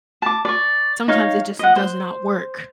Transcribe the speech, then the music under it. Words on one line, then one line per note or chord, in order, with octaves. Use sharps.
sometimes it just does not work.
A5 D6
D5 C#6
D#4 C#5 F5
D#5 F#5
C5